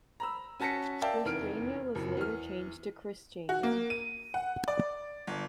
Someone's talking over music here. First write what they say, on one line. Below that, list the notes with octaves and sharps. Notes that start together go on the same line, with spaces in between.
"Christiania" was later changed to "Kristiania".
A#5 B5 E6
C#4 F#4 A5 A#6 B6 C#7
A#4 D5 E5 F5 G5 A5
F1 E2 D#3 F6 D7
F#1 F2 A2 F#3
E2 F6
F#4
A#3
D#7
F#5
D5
G1